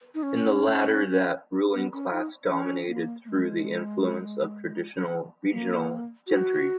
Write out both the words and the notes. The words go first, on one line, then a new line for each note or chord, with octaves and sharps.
In the latter, that ruling class dominated through the influence of traditional regional gentry.
D#4
C#4
B3
C#4
D#4
C#4
A#3
A#3
G#3
A#3
F#4